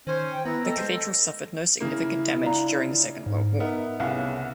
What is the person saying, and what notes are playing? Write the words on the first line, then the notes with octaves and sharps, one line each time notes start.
The cathedral suffered no significant damage during the Second World War.
D#3 C#4 C5
G5
B3 E4 B4 A#5
A4 D#5
G#3 C5
C#3 A#3 E4
D4 F4 A#5
G#2
B3 D#4 A#4 E5
C2 C#3 B3 C#4 F5 F#5